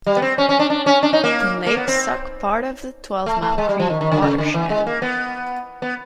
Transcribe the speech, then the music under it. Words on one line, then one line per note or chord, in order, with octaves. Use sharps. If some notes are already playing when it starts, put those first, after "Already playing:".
The lakes suck part of the Twelve Mile Creek watershed.
G3
B3
C4
C#4
C#4
D4
D4
C#4
D4
D#4
A#3
A#3
B3
C4
A3
A3
G#3
G3
F3
D#3
D#3
D3
C#3
D3
E3
G#3
A#3
B3
B3